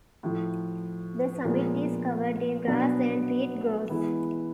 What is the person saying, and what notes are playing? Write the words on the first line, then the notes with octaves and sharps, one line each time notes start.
The summit is covered in grass and peat groughs.
A2 F3 A3
A#2 F3 G#3 B3
B2 F#3 B3 D4
E3 G#3 B3 E4